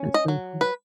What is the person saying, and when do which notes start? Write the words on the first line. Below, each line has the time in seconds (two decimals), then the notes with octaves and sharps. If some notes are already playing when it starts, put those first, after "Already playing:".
That's really cool.
Already playing: C#4
0.14 D#5
0.28 F#3
0.61 B4